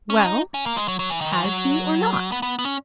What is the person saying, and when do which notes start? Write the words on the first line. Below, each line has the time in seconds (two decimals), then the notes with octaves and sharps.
"Well, has He or not?"
0.10 C#4
0.25 D#4
0.54 C#4
0.66 A#3
0.76 G#3
0.88 F#3
0.99 F#3
1.10 E3
1.21 D#3
1.32 E3
1.43 F#3
2.32 B3
2.42 B3
2.59 B3
2.65 C#4